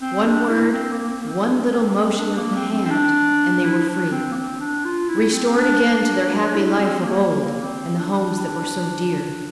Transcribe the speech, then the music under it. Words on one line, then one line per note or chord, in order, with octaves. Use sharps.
One word, one little motion of the hand, and they were free, restored again to their happy life of old and the homes that were so dear.
C4
D4
E4
C4
A#3
C4
A#3
C4
D4
C4
C4
D4
A#3
C4
C4
C4
D4
E4
D4
C4
A#3
C4
D4
F4
E4
C4
D4
D4
E4
C4
A#3
A#3
C4
D4